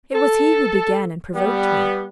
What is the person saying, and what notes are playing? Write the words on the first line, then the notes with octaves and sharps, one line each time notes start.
It was he who began and provoked me.
A4
G3 B3